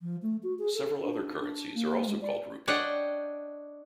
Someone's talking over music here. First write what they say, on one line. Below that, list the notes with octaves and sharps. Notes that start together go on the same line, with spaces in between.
Several other currencies are also called rupee.
F3
A3
F#4
G#4
A4
D4
D4
A#3
G#3
D5
D4 C#5 D#5 F#5 G5